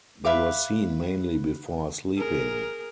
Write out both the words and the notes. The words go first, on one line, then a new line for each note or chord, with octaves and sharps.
They were seen mainly before sleeping.
B4 E5 F5 D6
G#4 A#4